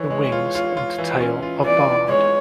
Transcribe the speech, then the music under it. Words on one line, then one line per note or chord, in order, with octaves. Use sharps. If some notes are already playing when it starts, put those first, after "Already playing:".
The wings and tail are barred.
Already playing: E3 C#5
G#3
F4
F4
F4
E3
C#4
F4
E3 D5
E3
G#3 C#5